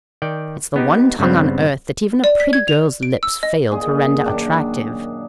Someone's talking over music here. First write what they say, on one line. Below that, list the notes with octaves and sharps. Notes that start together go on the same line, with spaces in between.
It's the one tongue on earth that even a pretty girl's lips fail to render attractive.
D#3 D5 G5
B3 D#4 G4
G2 C#3 G3 B3 C4
D5
B6
G#6
F7
D7
E6
D#5
A#2 G#4 D#5
F#2 A#2 D#3 D4